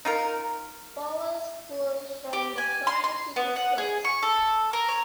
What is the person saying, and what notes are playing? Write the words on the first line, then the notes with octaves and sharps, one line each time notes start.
Powell School from the Florence City Schools.
D#4 F4 A#4
G4
G#5
C6
C6
B3
F#5
G#4
C#6
A4
A#4
C#5